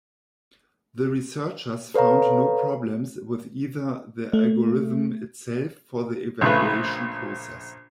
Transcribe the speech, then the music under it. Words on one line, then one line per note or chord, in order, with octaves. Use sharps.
The researchers found no problems with either the algorithm itself or the evaluation process.
A4 B4 C#5 F5 A#5
A3
A#1 C#3 A3 B4